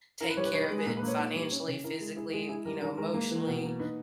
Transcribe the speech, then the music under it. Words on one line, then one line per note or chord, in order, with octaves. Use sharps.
take care of it financially, physically, you know, emotionally,
E4 A#4
B4
G3 C#5
B4
D#4 C#5
B4
G#3
G#4
A#2 A#4
B4
A#3
C#5
D#4
G3
C#4
C#3
E4 A#4
G#3
E4 G#4
G#3 G#4
E4 G#4
G3 A#4
D#3 A#4
G#3 A#4
A#3
E3
B2
A#3
D#4 B4